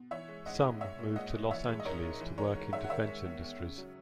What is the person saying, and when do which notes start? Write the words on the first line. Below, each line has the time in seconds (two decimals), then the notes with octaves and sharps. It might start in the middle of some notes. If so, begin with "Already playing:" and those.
Some moved to Los Angeles to work in defense industries.
Already playing: B2
0.11 E3 C#5 E5
0.28 G#3
0.46 G#2 D#5 F#5
0.63 G#2
0.81 G#3 C#5 E5
0.99 A#2
1.16 G#3 D#5 F#5
1.34 A#2
1.51 E3 C#5 E5
1.68 G#3
1.80 D#5
1.85 G#2 A#4 C#5
2.03 G#2
2.21 E3
2.38 G#3 A#4 C#5
2.55 G#2
2.73 G#2 C#5 E5
2.84 F#5
2.90 D#3 C#5 E5
3.08 G#3
3.25 E2
3.42 E2
3.60 C#3
3.78 F#3